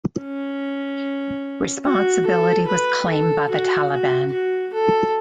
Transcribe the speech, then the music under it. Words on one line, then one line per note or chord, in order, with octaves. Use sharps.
Responsibility was claimed by the Taliban.
C#4
F#4
A4
B4
A4
F#4
F#4
F#4
A4